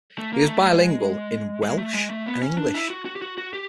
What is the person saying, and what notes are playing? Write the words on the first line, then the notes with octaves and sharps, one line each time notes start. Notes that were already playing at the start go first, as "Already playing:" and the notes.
He was bilingual in Welsh and English.
A3
A#3
A3
G#3
G#3
A3
G#3
A3
B3
C#4
D4
E4
F#4
F#4
G4
F#4
F#4
G4